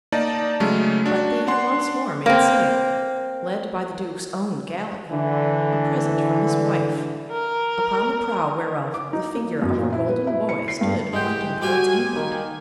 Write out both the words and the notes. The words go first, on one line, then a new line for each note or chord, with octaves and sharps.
But they had once more made sail, led by the Duke's own galley, a present from his wife, upon the prow whereof the figure of a golden boy stood pointing towards England.
A#3 D#4 D5 A5
C#3 F#3 G#3 A3 C#4
D4 F#4
D4 F#5 C6
A#3 C4
D3 E3
A#4
D6
D#4
A#3
F#2
A#2
E4
B4
E4
C#7
C7
G2
C2 G#2 E3 G#3 G4 F#5 G5
G3 F#4 G4 A4 F5 G#5 D6
D#3 A#3